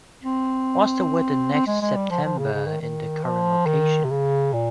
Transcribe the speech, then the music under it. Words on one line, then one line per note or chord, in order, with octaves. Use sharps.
What's the weather next september in the current location?
C4
C4
G#3
G#3
G3
F3
F3
C#3
C#3
D#3
D#3
F3
D#3
C3
C#3
A#2